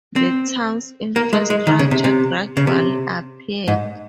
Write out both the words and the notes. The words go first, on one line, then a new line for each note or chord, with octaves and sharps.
The town's infrastructure gradually appeared.
C4
A#3
G#3
G#3
D#3
C#3
C3
C3
C#3
C3
G#2